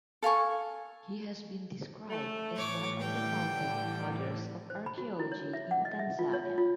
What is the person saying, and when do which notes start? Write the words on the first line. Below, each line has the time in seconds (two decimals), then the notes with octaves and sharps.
He has been described as "one of the founding fathers of archaeology in Tanzania".
0.23 A4 F5 G#5 C#6
2.10 A3
2.56 A2 E3 C#5 D6
3.00 D3 G3 G5
4.70 C5
4.86 B5
4.98 F#4
5.19 E4
5.32 C#5
5.53 E5
5.71 F#5
5.85 D#5
5.99 E5
6.19 F4
6.33 C#5
6.58 F4